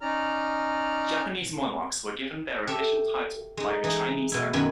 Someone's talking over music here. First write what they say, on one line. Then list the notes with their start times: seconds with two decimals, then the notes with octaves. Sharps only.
Japanese monarchs were given their official title by the Chinese emperor.
0.01 C#4 D#4 D5 A#5 F6
2.67 G4 A4 E5
3.57 G#3 D#4
3.84 E3 D#4
4.32 B2 E4
4.53 F#2 D#3 B3 B4 G5 G#5